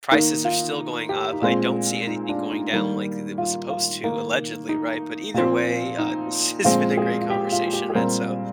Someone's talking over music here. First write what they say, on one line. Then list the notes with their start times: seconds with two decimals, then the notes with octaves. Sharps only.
prices are still going up. I don't see anything going down like it was supposed to, allegedly, right? But either way, uh, this has been a great conversation, man. So,
0.11 D#3 A#3 D#4
0.45 F4
1.09 G4
1.33 D#4
1.42 A#2 G#3 C4 F4
2.07 D#4
2.29 D4
2.51 D#4
2.73 D#3 G3 A#3
3.38 F4
3.70 F4
4.04 D#3 A#3 D#4
4.69 D#4
5.34 A#2 F3 C4
5.99 D#4
6.64 A#2 F3 G#3 C4 F4
6.97 G#4
7.21 F4
7.30 G4
7.52 F4
7.73 G4
7.90 G#4
7.95 A#2 G3 C4 A#4